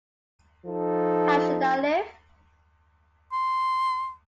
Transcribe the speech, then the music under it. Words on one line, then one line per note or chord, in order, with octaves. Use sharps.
How Should I Live?
F3 D#4 A4
C6